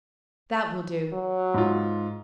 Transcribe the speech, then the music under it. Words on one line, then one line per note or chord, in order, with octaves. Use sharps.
That will do.
F#3
G#2 F4